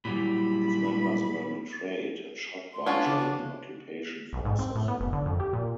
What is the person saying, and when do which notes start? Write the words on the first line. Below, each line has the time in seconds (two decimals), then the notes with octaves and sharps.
Its members were betrayed, and shot by German occupation forces.
0.05 A#2 F#3 G3 E4 B5
2.73 C6
2.86 B3 C#4 D4 F4 C#5 F5
3.06 C#3 D6
3.18 F#4
4.33 B1
4.45 G#2
4.59 C4
4.75 A2
4.88 B3
5.00 F1
5.13 D3
5.26 F2
5.40 G4
5.53 A#2